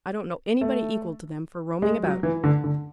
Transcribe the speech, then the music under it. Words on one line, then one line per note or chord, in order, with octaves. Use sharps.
I don't know anybody equal to them for roaming about.
A3
G#3
F#3
E3
D3
D3